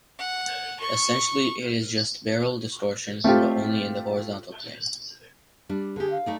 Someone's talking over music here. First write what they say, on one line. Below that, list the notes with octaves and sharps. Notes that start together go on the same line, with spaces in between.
Essentially it is just barrel distortion but only in the horizontal plane.
F#5
C#6
A3 C4 F4 G4
G3 D4
D3 G4 G#4
F5
A3 D#4 D5